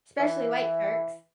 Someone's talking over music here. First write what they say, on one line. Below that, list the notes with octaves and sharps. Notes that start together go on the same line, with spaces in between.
especially white sharks.
E3